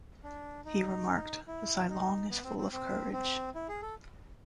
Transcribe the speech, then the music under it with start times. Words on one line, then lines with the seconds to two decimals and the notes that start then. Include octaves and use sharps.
He remarked, Zilong is full of courage.
0.23 D4
0.65 D#4
1.47 E4
1.89 D#4
2.30 B3
2.44 C4
2.58 C4
2.72 C4
3.13 C4
3.55 E4
3.69 G#4
3.82 A4